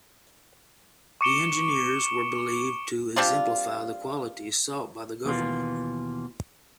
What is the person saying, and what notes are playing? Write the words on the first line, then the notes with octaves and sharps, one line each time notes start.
The Engineers were believed to exemplify the qualities sought by the Government.
C#6 D6 C#7 D7 E7 G7
G3 C4 D4 F4
D#2 B2 E3 F4